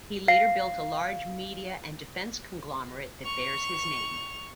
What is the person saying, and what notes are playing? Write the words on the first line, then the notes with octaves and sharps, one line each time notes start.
He later built a large media and defense conglomerate that bears his name.
F5 C7
C#6 F7